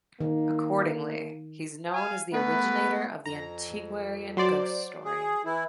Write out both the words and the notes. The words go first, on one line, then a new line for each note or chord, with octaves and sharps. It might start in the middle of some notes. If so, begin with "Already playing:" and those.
Accordingly, he is known as the originator of the "antiquarian ghost story".
D#3 A#3
F5 G#5
A3 B3 A#4 B4
F2 A#5
F#3 C5 D5
G#4
E3 E4